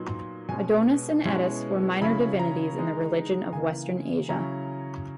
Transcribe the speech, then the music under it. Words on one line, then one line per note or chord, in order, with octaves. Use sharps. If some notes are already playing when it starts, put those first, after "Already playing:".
Adonis and Attis were minor divinities in the religion of Western Asia.
Already playing: A#2 F#3 B3 D#4
B2 G#3 C#4 G#5
B2 G#3 C#4 E4
C#3 F#3 C#4 E4 B5
A#5
E3 G#3 D#4
C#3 E3 A#3 G#5
C#3 F#3 C#4 E4 A#5